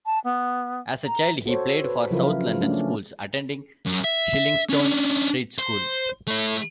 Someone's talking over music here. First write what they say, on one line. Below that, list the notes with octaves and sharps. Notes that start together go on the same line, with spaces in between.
As a child he played for South London Schools, attending Shillingstone Street School.
A5
B3
A#5
F#4 A4 C5 C#5
B4
C#3 F3 F#3 E4 F4 A#4
A3 C#4 D4
F#2
E5
C#4 D4
C5
A3 E4